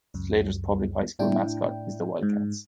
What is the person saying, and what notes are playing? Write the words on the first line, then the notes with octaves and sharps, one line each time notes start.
Slater's public high school mascot is the Wildcats.
C#2 F#2
A2 D4 E4 G5
G#2